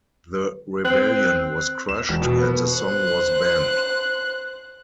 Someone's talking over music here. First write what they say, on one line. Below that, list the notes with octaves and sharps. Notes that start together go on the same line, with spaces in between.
The rebellion was crushed, and the song was banned.
C4 F#6
E7
E1
B2
B3
C5 F#6